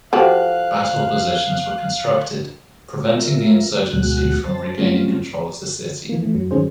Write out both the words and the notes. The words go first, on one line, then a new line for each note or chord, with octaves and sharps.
Battle positions were constructed, preventing the insurgency from regaining control of the city.
F3 F#4 G4 A4 C5 F5 F#6
F4 A#4 E5
D2 B2 G#3 F#4 F#6
C5 A5
F#3 G3 A3 C4 C#4 F4
E3 A#3
E3 A3
F#2 F#3
G2 D#3 F#3 C#4 G#4 C5